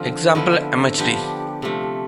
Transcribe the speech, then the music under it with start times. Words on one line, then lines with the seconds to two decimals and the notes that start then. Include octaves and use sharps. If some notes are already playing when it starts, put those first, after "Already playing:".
Example mhd.
Already playing: D3 F3 C4
0.35 D3 F3 B3 E4
0.98 F3 B3 D4 G4
1.62 C3 F3 A3